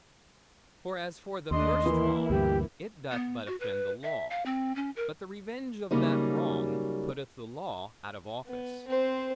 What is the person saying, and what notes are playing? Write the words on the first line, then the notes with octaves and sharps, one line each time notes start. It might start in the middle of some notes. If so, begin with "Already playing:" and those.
For as for the first wrong, it doth but offend the law; but the revenge of that wrong, putteth the law out of office.
D#2 A3 D4 D#5 C6
E3 A#3 E4
D2 G2 G4
B3
F#4
B4
E5
F5
C4
C#4
A#4
C#3 F#3 G3 A#3 D#4
B3
C4 C5